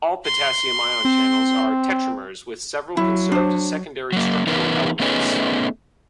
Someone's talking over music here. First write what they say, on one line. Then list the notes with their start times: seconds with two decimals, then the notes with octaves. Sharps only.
All potassium ion channels are tetramers with several conserved secondary structural elements.
0.25 C6
1.05 C4
2.97 F#3 E4
3.32 D4 C5
4.13 F#3 A#3
4.47 E3 B3 D#4 A#4 B4
5.00 A3 B3 C#4 D#4 G#4 B4